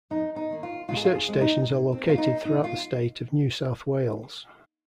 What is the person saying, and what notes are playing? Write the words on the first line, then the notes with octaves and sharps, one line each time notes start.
Research stations are located throughout the state of New South Wales.
F2 D#4
D#4
D#3 A#3
F4
G#2 F4
G#4
F4
G#4
G#3 C4
D#4
A#2
C4
A#3 F4
D#4
A#2 D#4
F4